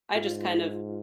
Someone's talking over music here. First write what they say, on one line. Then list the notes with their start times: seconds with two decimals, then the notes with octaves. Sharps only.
I just kind of
0.15 G#2 F4